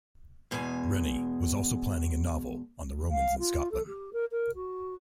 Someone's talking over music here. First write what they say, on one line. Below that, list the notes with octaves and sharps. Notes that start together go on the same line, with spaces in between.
Rennie was also planning a novel on the Romans in Scotland.
E2 B2 G#3 G4 G#5
F5
F4
A4
G4
A#4
A#4
F#4